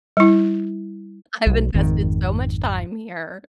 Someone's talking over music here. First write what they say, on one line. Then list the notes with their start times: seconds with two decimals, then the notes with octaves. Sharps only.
I've invested so much time here.
0.17 G3 E4
1.47 B1
1.74 G#1 F2 D#3